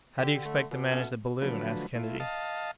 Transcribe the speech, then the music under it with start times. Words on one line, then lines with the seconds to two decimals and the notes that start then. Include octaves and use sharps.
"How do you expect to manage the balloon?" asked Kennedy.
0.18 D3 G4
0.45 A3
0.71 B2
0.89 A3 B3 C#4
1.42 D3 F3 F#3 A3 B4
1.95 A3 E4 F4
2.20 D#5 F5 A5